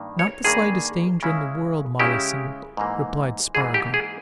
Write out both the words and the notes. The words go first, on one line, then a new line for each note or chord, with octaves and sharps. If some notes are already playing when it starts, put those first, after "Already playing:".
"Not the slightest danger in the world, Mollison," replied Spargo.
Already playing: G2 D#3 A#3
C#5
G2 D#3 A#3 G#4
C#3 G#3 C#4 E4
C#3 G#3 C#4 E4 G4
G#2 E3 A#3
G#2 E3 A#3 G#4
G4
G#4